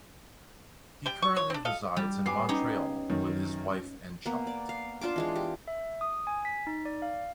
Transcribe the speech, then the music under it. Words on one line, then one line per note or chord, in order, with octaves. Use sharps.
He currently resides in Montreal with his wife and child.
G3 G5
C#6
C#5
C4 D4
A4 D#5 F5
G3
B3 G#5 D6 C7
C#4 D#4 G4
F#2 D#3
A#3 B3
D5
F5
D4 F4 A5 D6
E3 G#3 F4
G4
E5
D#6
G#5
B6
D#4
D5
F5